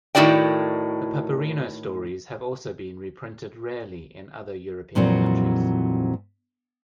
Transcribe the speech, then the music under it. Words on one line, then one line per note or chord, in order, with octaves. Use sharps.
The "Paperino" stories have also been reprinted rarely in other European countries.
A2 D#3 E4 F#4 D5 G5
F2 A#2 E3 F#3 C4